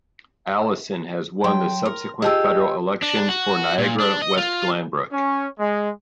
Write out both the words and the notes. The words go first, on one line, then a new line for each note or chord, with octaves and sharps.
Allison has won the subsequent federal elections for Niagara West-Glanbrook.
F#3 G5 C6
A#4
F4 G4 G#4 D#5 A5 E6
D4
F#4
A#2
D4
D#5
F4
C#4
G#3